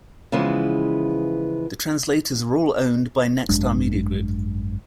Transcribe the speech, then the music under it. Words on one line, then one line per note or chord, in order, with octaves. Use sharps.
The translators are all owned by Nexstar Media Group.
C#3 E3 F3 G#3 B3
G#1 F#2 G#3 D4